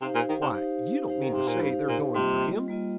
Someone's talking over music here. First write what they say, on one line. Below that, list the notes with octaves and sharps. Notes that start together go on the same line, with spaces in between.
Why, you don't mean to say they're going for him?'
C3 D#4 G4 C5 F5
A#2
D#3
C3
D#4 G4 C5 F5
D#4 G4 C5 F5
D#3
C3
A#2
G2 D#4 G4 C5 F5
A#2
C3 G3 A#3 F4 D#5
G3 A#3 F4 D#5